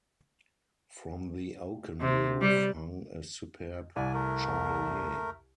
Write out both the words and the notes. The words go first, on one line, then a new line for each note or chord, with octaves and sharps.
From the oaken roof hung a superb chandelier.
C3
G3
C2 D5 G#5
A3 A#4